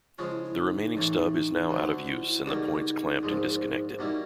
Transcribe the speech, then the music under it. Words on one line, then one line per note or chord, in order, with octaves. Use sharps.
The remaining stub is now out of use and the points clamped and disconnected.
C#3 F3 G#3 C#4 F4
E4
E4
D#4
A1 A2 E3
D2 D3 F#3
D#4
E4
E4
C#2 B2 G3 A#3 C#4 D#4
A#1 G#2 F3 G#3
B2 G3 A#3 C#4 D#4 E4